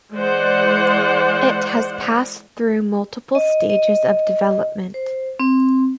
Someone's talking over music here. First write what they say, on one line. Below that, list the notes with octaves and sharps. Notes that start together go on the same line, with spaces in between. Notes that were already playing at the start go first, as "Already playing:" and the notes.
It has passed through multiple stages of development.
E3 G#3 C5 D5 F#5
D#5
D#5
C5
C4